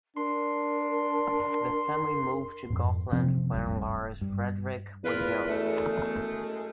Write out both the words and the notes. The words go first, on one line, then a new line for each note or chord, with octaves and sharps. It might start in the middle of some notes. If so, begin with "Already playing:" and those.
The family moved to Gotland when Lars Fredrik was young.
D4 A#4 C6
F2 G#2
C3 F3 C4
D1 G#1 G2
G2
E2 F4 A#4 B4
F#2 G#3 A3